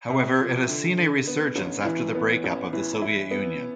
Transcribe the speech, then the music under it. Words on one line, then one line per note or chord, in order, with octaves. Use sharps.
However, it has seen a resurgence after the break-up of the Soviet Union.
C3
F3
D3
D3
B3
A1
E3
B3
A1
E3
E4
B3